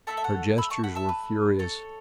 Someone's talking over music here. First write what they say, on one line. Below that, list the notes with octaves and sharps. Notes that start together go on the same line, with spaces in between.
Her gestures were furious.
A3 F#4 A4 E5 A5
E5
C#5 F#5
B5 E6
A5 C#6
F#5 B5
E5 A5
B4
A4 C#5